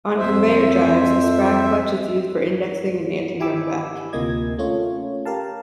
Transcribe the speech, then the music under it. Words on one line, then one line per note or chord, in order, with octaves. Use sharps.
On conveyor drives, a sprag clutch is used for indexing and anti-runback.
F2 C5 E5
E4 G4 G#5 B5 D6 E6
D2 C3 A#3 F4 D#5 G#6
A3 C#4 F4 C#5
G4 A#4 F5 A5